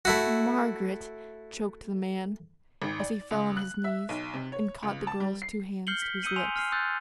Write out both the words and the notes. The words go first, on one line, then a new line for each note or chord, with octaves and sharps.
"Margaret!" choked the man, as he fell on his knees and caught the girl's two hands to his lips.
A3 E4 F#4
G#1
D5
C#2
F#6
E5
B1
C3
C#5
C#2
A5
G3
C7
F6 G6 C7 C#7 F#7 G7
B6
D#6 E6 G6 C#7 D#7 F#7
G#5 C6 F7
F6 C7
C6 D#6 E6 F#6 G6 A6